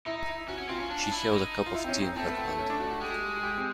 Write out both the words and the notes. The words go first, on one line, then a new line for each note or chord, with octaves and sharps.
She held a cup of tea in her hand.
D#4 E4
E4
C#4 F#4
C#4
C4 F4
C#4
D4
E4
D#4
F4
E4
C4
C#4
C4
A3 C4
B3
C4
C#4
D4
F#4
F#4
G#3 G4
G#4
G4
C4